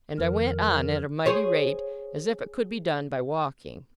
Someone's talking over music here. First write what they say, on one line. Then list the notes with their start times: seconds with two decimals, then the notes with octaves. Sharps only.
And I went on at a mighty rate, as if it could be done by walking.
0.18 F2 D#3 A#4
1.26 G#4 C5 C#5